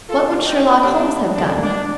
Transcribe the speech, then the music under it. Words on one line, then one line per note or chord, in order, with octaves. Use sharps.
What would Sherlock Holmes have done?
F4 A4
C3 G3 A#3 D4 F4
F4
C4 D#4
C3 G3 A#3 D4
C3 D#3 A3 D4
D4